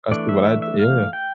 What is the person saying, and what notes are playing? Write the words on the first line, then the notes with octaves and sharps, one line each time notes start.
that's to what I yeah.
E3 A3 D4 D5
E5
E5
E5
F5
G5